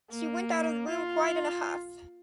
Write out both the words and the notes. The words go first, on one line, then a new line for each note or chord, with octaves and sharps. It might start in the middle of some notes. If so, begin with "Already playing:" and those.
She went out of the room quite in a huff.
A#3
F4